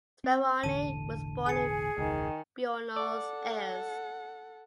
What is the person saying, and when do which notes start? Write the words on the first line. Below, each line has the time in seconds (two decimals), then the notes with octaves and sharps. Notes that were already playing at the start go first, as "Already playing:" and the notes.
Speroni was born in Buenos Aires.
0.24 C4
0.63 E1 A1 D3 A5 D#7
1.46 G#4 G#5 C#7
1.98 E1 C#2 D#3
2.96 A4 D5 F#5